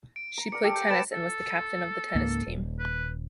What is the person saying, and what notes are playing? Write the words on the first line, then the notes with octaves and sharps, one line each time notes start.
She played tennis and was captain of the tennis team.
D7
A#5
A#4 D5 C#7
G4 A4 A5
G6
G4 A4 B4 A6 D7 E7
A4
C#2 G#2 A#3
D#1
B4